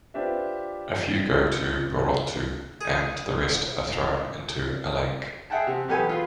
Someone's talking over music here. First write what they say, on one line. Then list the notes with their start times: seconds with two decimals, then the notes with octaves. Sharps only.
A few go to Burotu, and the rest are thrown into a lake.
0.14 D4 F4 G4 B4 C5 E5
2.81 G#4
5.50 G#4 E5 F#5 G5 A5
5.67 C3
5.88 B1 E2 G4 A4 B4 G#5
6.09 F4 G#4 B4